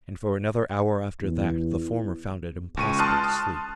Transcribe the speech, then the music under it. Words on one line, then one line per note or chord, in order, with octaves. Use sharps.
And for another hour after that the former found it impossible to sleep.
E2
C#2 C#6 D#7
A5 C6 D#6 F6 F#6